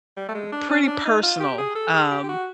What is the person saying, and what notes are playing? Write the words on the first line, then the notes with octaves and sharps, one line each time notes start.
pretty personal, um
G3
A3
G#3
D4
C#4
C#4
D4
D#4
F4
G4
G#4
A4
G#4
G4
G4
F#4